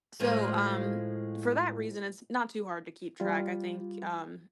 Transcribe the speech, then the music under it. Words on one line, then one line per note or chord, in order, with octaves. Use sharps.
So, um, for that reason, it's not too hard to keep track. I think, um,
A2 F3 G#3
G3 F4